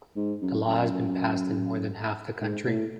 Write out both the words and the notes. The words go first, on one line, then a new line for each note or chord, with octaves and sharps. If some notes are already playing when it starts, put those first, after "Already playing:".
The law has been passed in more than half the country.
G#2
F#2
F#2
G#2
A2